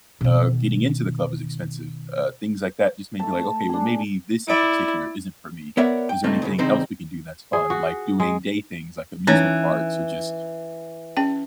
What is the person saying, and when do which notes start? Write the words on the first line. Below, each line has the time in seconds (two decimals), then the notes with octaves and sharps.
uh, getting into the club is expensive, uh, things like that just may be, like, okay, well maybe this in particular isn't for me. Is there anything else we can do that's fun, like, doing day things like amusement parks or just
0.21 B2 D#3
3.19 A3 A5
3.69 D4 G#4
4.48 E4 D5 D7
5.77 B3 A#4 C#5 D5 E5 F#5
6.09 G5
6.24 C#2 A#2 A3 C4 D#4
6.42 C2 F#2 A2 C#3
6.58 E2 G2 C#3 C4 D#4 C5
7.53 G#4
7.70 F#4
8.20 G#3
9.27 E3 C#4 D#4 C#5
11.17 C#4 G5